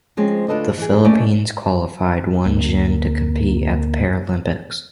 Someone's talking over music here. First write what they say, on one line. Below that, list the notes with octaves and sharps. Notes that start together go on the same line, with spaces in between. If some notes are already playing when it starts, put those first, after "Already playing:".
The Philippines qualified one jin to compete at the Paralympics.
F3 G#3 C4 C#4
D2 D4 F4 A4 B4 D#5
E3 G#4
A3 A#3 C#4 D5 D#5
D2 A#3